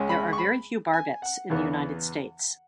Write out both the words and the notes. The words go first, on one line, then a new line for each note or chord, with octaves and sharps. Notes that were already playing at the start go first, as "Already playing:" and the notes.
There are very few barbets in the United States.
Already playing: C#2 C#3 G#3 C#4
B5
C#6
B5
G#5
F#5
E2 C#3 E3 B3